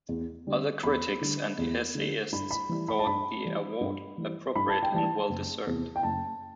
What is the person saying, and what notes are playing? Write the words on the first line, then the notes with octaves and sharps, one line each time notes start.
Other critics and essayists thought the award appropriate and well deserved.
E2
D3 G3
E2 B5
D3 G3
E2
D3 G3
G2 B5
B5
E3 G3
B5
A5
G2 B5
E3 G3
G2
E3 G3
G2 B5
A5
G5
E3 G3 A5
F#1
E2 C3
G5
F#1 A5